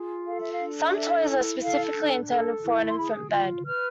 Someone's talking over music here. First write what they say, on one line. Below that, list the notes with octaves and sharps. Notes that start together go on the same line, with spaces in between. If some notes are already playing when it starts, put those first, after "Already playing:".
Some toys are specifically intended for an infant bed.
Already playing: F4 G#4
A4 F5
E5
F5
D4
A4 E5
E4
A4 F5
D4
A4
E4
C6
G#4 B5
F4 C6
B4 F6